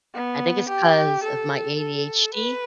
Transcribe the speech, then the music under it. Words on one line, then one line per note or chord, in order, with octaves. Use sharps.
I think it's 'cause of my ADHD
B3
G4
A4
A4
B4